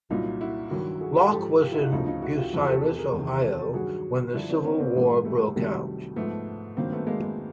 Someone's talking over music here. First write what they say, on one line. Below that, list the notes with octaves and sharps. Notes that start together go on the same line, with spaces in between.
Locke was in Bucyrus, Ohio when the Civil War broke out.
C2 A#2 F#3 D#4 F4
E4 F#4
G2 D#3 F#3
F#4 G#4
G4 A4
G#2 F3 G4 A4
F4 G4
E4 F#4
D#4 F4
D2 C#3 F3 D#4 F4
D#4 F4
E4 F#4
F4 G4
E2 C3 F3 E4 F#4
G4 A4
G4 A4
G#4 A#4
E2 C3 D#3
G4 A4
G4 A4
G2 D#3 F#3 F#4 G#4
G2 D3 F3 D4 E4
C4 D4
B3 C#4
B3
A#3 C4
G#2 E3 G#3 A#3
G#3
G3 A3
G#3
C2 C3 D#3 F#3 G3 A3
G#2 F3 A3 B3
G2 D#3 F#3 A#3 C4
A3 B3
G#3 A#3
G#3